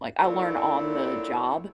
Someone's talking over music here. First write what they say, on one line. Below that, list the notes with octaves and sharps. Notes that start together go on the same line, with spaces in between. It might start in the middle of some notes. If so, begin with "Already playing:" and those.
like I'll learn on the job
A#2 D3 C4 E4 C#5